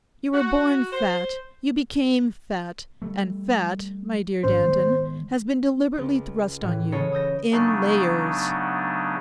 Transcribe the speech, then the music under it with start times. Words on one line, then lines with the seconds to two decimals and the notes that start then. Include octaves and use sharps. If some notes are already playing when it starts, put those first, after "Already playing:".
You were born fat; you became fat; and fat, my dear Danton, has been deliberately thrust on you--in layers!
0.33 F#4
0.92 C5
3.02 G3 A3
4.44 G#1 G#2 C#4 C5
4.63 D#3 G#3 B3
5.97 C#2
6.61 A2 E3
6.92 C#3 G#3 A4 C#5 D#5 B5
7.12 D#6 E6 G6 A#6
7.52 C#3 F#3 A3 B3 D4 D#4